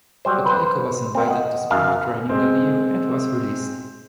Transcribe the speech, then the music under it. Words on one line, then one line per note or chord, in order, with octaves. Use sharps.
Bottalico was invited to spring training that year, and was released.
F#3 G3 C5
B4 C5
A#3 C4
D#5 F#5
F#2 F5
G#3 C4